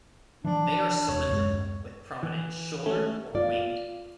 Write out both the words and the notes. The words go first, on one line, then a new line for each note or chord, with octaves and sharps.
They are cylindrical, with prominent shoulder or winged.
E3 F3 D4
E1 C#5
D1 F#2 G#3
E3
A3 C#4
F4 D5 F5